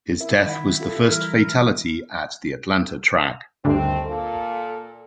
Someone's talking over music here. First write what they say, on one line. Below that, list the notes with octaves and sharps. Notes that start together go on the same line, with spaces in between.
His death was the first fatality at the Atlanta track.
E4 A#4 E5
D#3 F#5 B5
F4 G4 A4
E3 G3 A#4
D2 G2 D3 D#3 A3 C4
A#2 A4